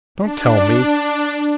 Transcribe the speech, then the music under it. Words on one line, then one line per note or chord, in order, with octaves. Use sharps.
'Don't tell me!
D4